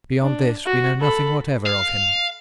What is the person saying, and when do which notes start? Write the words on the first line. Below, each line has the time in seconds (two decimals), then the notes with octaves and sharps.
Beyond this we know nothing whatever of him.
0.22 D4
0.66 F#4
1.00 A4 B5
1.67 F5